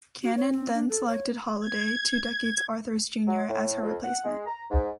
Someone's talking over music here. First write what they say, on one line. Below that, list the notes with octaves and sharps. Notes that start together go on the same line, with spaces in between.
Kanin then selected Holliday, two decades Arthur's junior, as her replacement.
F#4
C#5
C4
D4
A4
C#5
G#6
G#6
F#3
A2
F2
F#5
G#3
A#5
G#2